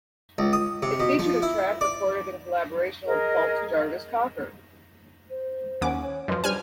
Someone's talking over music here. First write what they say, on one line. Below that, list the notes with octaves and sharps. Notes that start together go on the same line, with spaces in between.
It featured a track recorded in collaboration with Pulp's Jarvis Cocker.
C#2
D#6
C3
B2
F3
E4
D5
G#4 A#4 D#5
C5
D#2 C#4 F#5 G#5 D6
C#5
F#2 F3 B4 D#5 C6
G3 D4 C5 G#5 F6